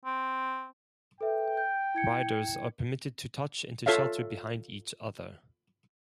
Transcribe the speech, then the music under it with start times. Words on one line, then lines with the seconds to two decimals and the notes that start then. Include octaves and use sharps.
Riders are permitted to touch and to shelter behind each other.
0.05 C4
1.21 A4 B4 E5 G5
1.57 G6
1.95 E4 G#6 C#7
3.86 F4 A4 C#5 E5 F5